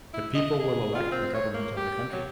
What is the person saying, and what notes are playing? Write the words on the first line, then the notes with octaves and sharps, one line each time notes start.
The people will elect the government of the country.
E4
D#5
G#4
F4
C4
C#5
A#3
G4
F#3